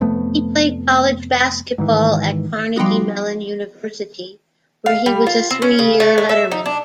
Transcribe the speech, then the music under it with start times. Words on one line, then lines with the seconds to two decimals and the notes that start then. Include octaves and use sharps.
He played college basketball at Carnegie Mellon University, where he was a three-year letterman.
0.01 F1 F2 A3 B3
1.78 G#2 D#3 E3
2.76 F3 G3 B3 D#4 F#4
4.86 F5
5.06 G3
5.27 F4
5.51 C4
5.62 C#4
5.79 C#3
6.00 A3
6.18 A3
6.29 E5
6.52 D#4
6.66 D4